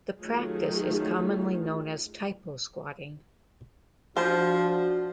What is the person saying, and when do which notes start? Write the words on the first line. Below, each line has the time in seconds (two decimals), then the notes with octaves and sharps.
The practice is commonly known as "typosquatting".
0.19 D#3 F#3 A3 F4 G#4
4.17 F3 D4 F#4 C5 A5